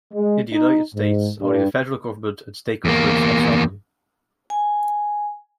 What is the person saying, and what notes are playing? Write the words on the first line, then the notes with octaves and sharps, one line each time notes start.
In the United States only the federal government and state governments are sovereign.
G#3
D#4
G#2
G2
E2 A#3
G#5